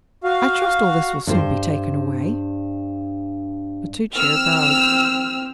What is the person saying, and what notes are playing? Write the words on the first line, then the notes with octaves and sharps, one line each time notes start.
"I trust all this will soon be taken away." Bertuccio bowed.
F#4 F5
G2 C5
C4 E6 F6